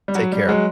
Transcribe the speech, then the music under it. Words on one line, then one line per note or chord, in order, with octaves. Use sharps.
Take care.
G3
F#3
G3
F#3 G#3